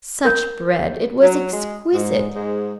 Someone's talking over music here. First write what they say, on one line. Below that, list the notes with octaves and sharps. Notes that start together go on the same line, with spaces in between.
Such bread, it was exquisite!
A#4 G6
F#3
G#3
G#2
G#2